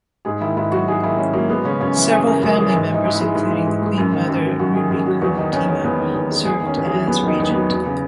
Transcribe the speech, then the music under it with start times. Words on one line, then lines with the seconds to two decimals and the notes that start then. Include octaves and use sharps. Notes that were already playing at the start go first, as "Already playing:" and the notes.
Several family members, including the Queen Mother Ririkumutima, served as regent.
0.25 G#2 G#4
0.41 D#3 E4
0.57 G#2 E4
0.71 F#3 F#4
0.87 G#2 G#4
1.03 D#3 E4
1.18 G#2 C#4
1.33 F#3 A#3
1.49 G#3 B3
1.64 C#3 C#4
1.80 F#2 C#4
1.96 E3
2.11 G#3 G#4
2.27 C#3 A#4
2.43 F#2 G#4
2.58 E3 G#4
2.74 G#2
2.89 E3 D#4
3.05 G#2
3.15 E4
3.21 G#3
3.35 G#2
3.51 E3
3.67 G#2
3.83 G#3
3.98 F#2
4.13 D#3
4.28 F#2
4.44 F#3
4.59 F#2 F#4
4.75 D#3 G#4
4.91 F#2 G#4
5.06 F#3 F#4
5.21 E2 F#4
5.37 D#3 D#4
5.53 E2 C#4
5.68 G#3 C#4
5.84 E2 B3
6.00 D#3
6.15 E2
6.30 G#3
6.45 E2 G#4
6.61 D#3
6.67 C#4
6.77 E2
6.86 G#4
6.93 F#3
7.07 E2 B3
7.23 D#3 D#4
7.39 E2
7.50 B3
7.55 F#3
7.70 E2
7.86 C#3